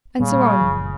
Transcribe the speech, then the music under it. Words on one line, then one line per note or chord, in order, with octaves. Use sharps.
And so on.
A#2 C#3 G3
F#1 F3